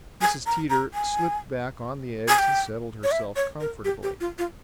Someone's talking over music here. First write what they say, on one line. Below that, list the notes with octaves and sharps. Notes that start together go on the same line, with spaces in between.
Mrs. Teeter slipped back on the eggs and settled herself comfortably.
G#5
A#5
A#5
G#5
G#5
G5
C#5
E5
C#5
A#4
G4
G4
F4
F4